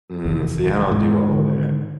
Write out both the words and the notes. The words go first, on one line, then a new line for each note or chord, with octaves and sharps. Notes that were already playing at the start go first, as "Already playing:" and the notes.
Mm, see, I don't do all of that.
F1 D#2 E3
G#2
D3 D#3